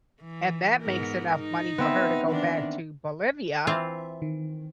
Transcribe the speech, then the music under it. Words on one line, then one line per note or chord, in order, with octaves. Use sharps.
and that makes enough money for her to go back to Bolivia
E3
G#2 B3 A#4
D#4
B3 C4 E5
D#3 E3 D4
E3 C4 F4 E5
D#3